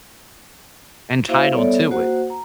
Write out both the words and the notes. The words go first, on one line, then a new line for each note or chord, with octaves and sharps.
entitled to it.
A#3 E4 F#4 C5 E5 F5
G3 B3 A4 C#5 D5 E5
A#3 F#4 C5 F#5
A#5